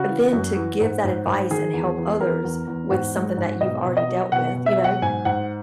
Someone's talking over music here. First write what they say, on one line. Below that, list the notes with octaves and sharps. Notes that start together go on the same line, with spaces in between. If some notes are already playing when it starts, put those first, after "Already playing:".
b then to give that advice and help others with something that you've already dealt with, you know,
Already playing: C#3 F#4
E3
F#2
E3
G#2
G#2
G#2
D#3 G#4
E2
E2
E2 A#4
E2
E2
G#2 F#4
G#3
G#2
B2 D#5
B2
D#5
F#3
B2 F#5
B2
E5
F#3
F#5
G#2 G#5
G#2 F#5